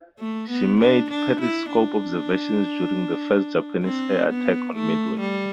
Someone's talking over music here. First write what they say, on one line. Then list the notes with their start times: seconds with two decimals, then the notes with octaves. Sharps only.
She made periscope observations during the first Japanese air attack on Midway.
0.19 A3
0.49 B3
0.80 D4
1.10 D4
1.41 E4
1.71 D4
3.84 C4
4.29 B3
4.75 A3
5.20 G3